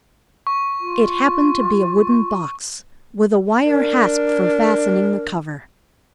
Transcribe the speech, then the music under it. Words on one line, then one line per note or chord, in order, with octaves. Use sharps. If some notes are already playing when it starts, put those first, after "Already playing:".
It happened to be a wooden box, with a wire hasp for fastening the cover.
C#6
F4
D4 A#4